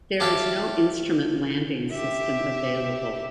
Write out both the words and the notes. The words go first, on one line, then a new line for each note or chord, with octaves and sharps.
There is no instrument landing system available.
G4 A4 E5 F5 G5
G4 E5